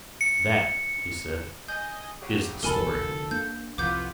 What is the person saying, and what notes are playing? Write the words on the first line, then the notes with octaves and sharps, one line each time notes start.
"That," he said, "is the story."
C#7
D#5 G#5 G6
C#3 F#3 G4
E1 C2 B2 A4 A#4 G#5 B5
F1 D2
A#3 D4 G6
C2 F2 B3 F4 D6 G6